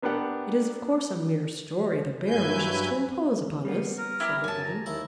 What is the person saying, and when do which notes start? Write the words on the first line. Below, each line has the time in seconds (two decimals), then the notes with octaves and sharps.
"It is, of course, a mere story; the Bear wishes to impose upon us," said the other.
0.02 A#3 B3 D4 G4 F#5
2.26 G2 F#3 E4 B4 G#5 G6
3.65 G3 A#3 B3
3.98 A#4
4.20 E4 G4
4.44 F#2 G#5 A5
4.64 A#5
4.86 D#2 E4 A5